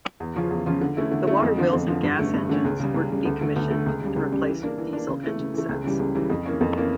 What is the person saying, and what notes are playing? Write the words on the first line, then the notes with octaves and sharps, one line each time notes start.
The water wheels and gas engines were decommissioned and replaced with diesel engine sets.
E2
C#3 F3 C#4 F4
E2
C#3 F3 C#4 F4
D3
A3 C#4 E4
D3
A3 C#4 E4
F2
D3 F3
F2
D3 F3
G2
D3 A3 C#4
G2
D3 A3 C#4
C#2
C#3 G3
C#2
C#3 G3
D2
D3 A3
D2
D3 A3
C#2
C#3 G3
C#2
C#3 G3
E3
A#3 D4
E3
A#3 D4
C#3
E3 A3
C#3
E3 A3
C#2
C#3 E3 G3
C#2
C#3 E3 G3
F2
E3 A#3 C#4
F2
E3 A#3 C#4